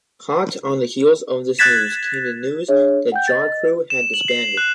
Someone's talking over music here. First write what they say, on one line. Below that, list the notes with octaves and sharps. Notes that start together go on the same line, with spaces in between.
Hot on the heels of this news came the news that Jarcrew had disbanded.
F#6 G#6 A6 B6 E7
D4 G#4 C#5 E5
F#5 G5 G6
D#5 A6
E7
F#7
C7
F#6